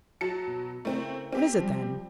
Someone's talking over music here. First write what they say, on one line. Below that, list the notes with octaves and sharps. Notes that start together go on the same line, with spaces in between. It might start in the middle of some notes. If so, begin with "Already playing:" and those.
"What is it then?"
F#3 A5 C#7
B2
C#3 A3 C4 E4 A#4
C4 G4
F3 G3